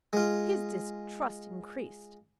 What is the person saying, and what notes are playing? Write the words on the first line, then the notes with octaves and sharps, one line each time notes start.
His distrust increased.
G#3 F4